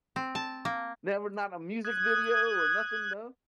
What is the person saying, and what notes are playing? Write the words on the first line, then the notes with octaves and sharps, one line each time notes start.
Never not a music video or nothing, no?
C4
A5
A#3
D#6 F#6 G#6